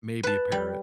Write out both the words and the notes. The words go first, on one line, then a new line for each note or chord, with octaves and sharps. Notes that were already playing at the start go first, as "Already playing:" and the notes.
Maybe a parrot.
B4 A5
G3